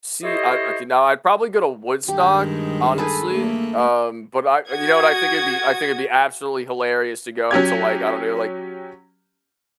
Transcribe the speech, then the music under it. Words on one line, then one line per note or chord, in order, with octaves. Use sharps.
See, uh, okay now I'd probably go to Woodstock, honestly, um, but I you know what, I think it'd be I think it'd be absolutely hilarious to go into, like, I don't know, like,
E4 G4 A4 C5 C#5 D#5
G2 D#3 G#3 G4
G#4 A4 B4
A3 A#3
F#4 D#6 G#6
F#3 C#4 G4 G#6